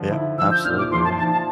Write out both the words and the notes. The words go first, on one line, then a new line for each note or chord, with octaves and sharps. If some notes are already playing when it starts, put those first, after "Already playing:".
Yeah. Absolutely. Yeah.
Already playing: D3 F3
E4
F3 E6
G6
A#2 F6
D6
F3 C6
A5
F3 A5
A5